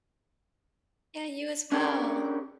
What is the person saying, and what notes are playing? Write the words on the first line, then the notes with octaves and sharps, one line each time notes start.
Yeah, you as well.
C#4 D4 G4 G#4 A#4